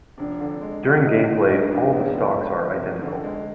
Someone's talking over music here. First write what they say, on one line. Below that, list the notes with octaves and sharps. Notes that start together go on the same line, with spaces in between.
During gameplay all the stocks are identical.
F1 D4
D3
G#3
F2
F1 D#4
D3
G#3 D4
F2
F1 B3
D3
G#3
F2
F1
D3
G#3